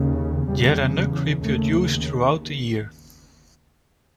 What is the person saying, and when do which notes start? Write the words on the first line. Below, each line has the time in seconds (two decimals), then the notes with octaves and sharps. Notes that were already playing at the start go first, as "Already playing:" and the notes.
Gerenuk reproduce throughout the year.
Already playing: D#2 C#3
0.49 E2 C#3 G3
1.43 D#2 C#3 A3